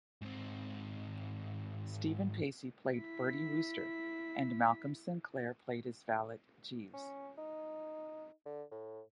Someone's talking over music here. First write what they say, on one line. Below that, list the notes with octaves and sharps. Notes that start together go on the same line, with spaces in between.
Steven Pacey played Bertie Wooster and Malcolm Sinclair played his valet Jeeves.
G#2 C4
E4 B6
C#4
D#4
D3
A2